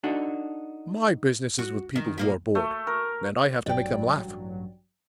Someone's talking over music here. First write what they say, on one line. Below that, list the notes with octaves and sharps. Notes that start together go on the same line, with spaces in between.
My business is with people who are bored, and I have to make them laugh.
D4 D#4 F#4 A4
F#4
D#3
A#2 A#3 B3
A3
A#4
A1 G2 F#3 D5 G5